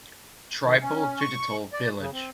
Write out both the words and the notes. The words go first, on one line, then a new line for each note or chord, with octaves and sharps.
Tribal Digital Village.
D#3
C#4
C#6
D5
C#3
C4